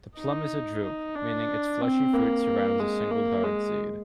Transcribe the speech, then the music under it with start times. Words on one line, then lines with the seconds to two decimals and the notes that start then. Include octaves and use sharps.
The plum is a drupe, meaning its fleshy fruit surrounds a single hard seed.
0.17 D#4
0.83 D#4
1.15 D4
1.82 C4
2.14 A#3
2.79 G#3
3.11 A#3
3.43 G#3